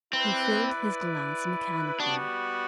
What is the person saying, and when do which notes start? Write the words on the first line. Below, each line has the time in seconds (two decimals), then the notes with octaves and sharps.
He filled his glass mechanically.
0.13 C4 E4 B4 D5
2.00 G3 B3 D4 F#4